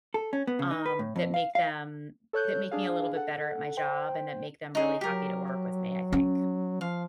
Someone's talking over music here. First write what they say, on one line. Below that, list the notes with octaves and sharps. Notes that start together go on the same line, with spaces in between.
Um, that make them that make me a little bit better at my job and that make them really happy to work with me, I think.
A4
C#4
B3
C#3
D#4
B4
A2
F2
F5
F5
A4 C#5 F#6 G6
D4 G#4 F5
A4 F#5
C5 G5
C#4 D#4 G#4
F#3 G4 A#4
C#4
F3 F5